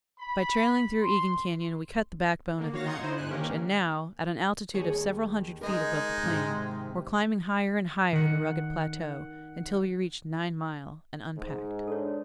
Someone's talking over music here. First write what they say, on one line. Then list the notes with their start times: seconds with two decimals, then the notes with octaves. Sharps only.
By trailing through Egan Canyon we cut the backbone of the mountain range and now, at an altitude of several hundred feet above the plain, were climbing higher and higher the rugged plateau, until we reached Nine Mile, and unpacked.
0.18 B5
1.01 C6
2.58 D3 A#3
2.73 F#4 C#5 F5 A#6
2.86 A#5 C6 D#6 G#6 C#7
2.99 D#4 E4 C5
3.18 G1 G#5 F#6
3.30 D#3 A#3 C#4 G4 A#4
4.74 D#2 G#4 C#5
5.61 G#3 D#4 A#4 D#5
6.22 G#2 C3 D#3
8.13 D#3 F#5
11.37 G#2
11.88 D4 A4 C#5